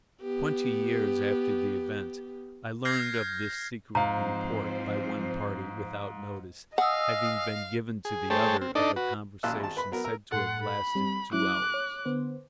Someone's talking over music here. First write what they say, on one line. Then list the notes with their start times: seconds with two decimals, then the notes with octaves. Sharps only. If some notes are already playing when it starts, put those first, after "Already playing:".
Twenty years after the event, I learned of this secret report, by one party, without notice having been given to the other, of a conversation said to have lasted two hours.
0.21 B3 G4
2.85 F6 G6 G#6 A#6 C7
3.95 G#2 F3 C4 C5 F5 A#5
6.78 D#5 F5 F#5 G#5 D#6 E6
8.05 G#4
8.30 A3 G#4 C5 C#5 G5 A5
8.61 C4
8.75 D4 D#4 A4 D5 D#5
8.96 F#4 B4
9.43 A1 A#2 A5 C6 E6 F#6
9.60 G#1 A5
9.77 B4 B5
9.92 F#3 B3 A#4
10.04 A#4 E6
10.31 A2 A4 F#5 C6 A6
10.61 B5
10.95 G3 C4
11.33 F#3 C#4 E4 D6 F#6
11.74 C#5
12.05 D3 B3 C5